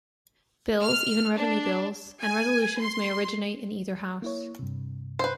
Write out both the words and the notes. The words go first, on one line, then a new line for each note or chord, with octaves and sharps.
Bills, even revenue bills, and resolutions may originate in either house.
F6
D4
G#5
C6
A#3 E4 C#5
G2 C3
B4 C5